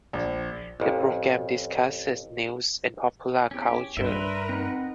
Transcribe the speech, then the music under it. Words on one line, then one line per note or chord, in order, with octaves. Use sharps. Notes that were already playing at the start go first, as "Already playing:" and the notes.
The program discusses news and popular culture.
A#1
A1 F2
E2 C#4 G4
G2 D4 A#4 B4 E5 C6
C4 D#4 D#5 F#5